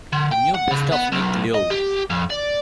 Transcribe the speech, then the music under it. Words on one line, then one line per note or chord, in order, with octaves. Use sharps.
The New Best of Nick Lowe.
D3
G5
F#5
C#3
B3
B1
D#5
G4
F2
D5